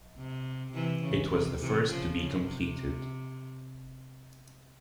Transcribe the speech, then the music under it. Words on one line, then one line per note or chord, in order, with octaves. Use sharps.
It was the first to be completed.
C3
C3 E3
C#3
C3
C3 E3
C#3 F3
C#3
C3